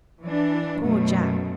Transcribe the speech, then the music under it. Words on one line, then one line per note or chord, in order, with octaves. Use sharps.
Poor Jack!
E3 D4
F#2 B2 A3